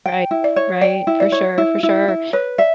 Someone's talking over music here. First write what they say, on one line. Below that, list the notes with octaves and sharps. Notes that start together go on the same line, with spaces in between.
Right, right, for sure, for sure.
G5
E4
D5
C#5
D5 G5
E4
D5
C#5
E4
E4
E4
B4 C#5
D5 E5